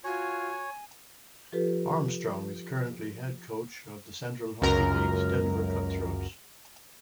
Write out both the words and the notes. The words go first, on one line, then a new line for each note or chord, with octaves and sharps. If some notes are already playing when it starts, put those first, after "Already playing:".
Armstrong is currently head coach of the Central Hockey League's Denver Cutthroats.
F4 F#4 C#5 G#5
F3 F4 G4 A4 B4
C#2 F#2 A#4 A#5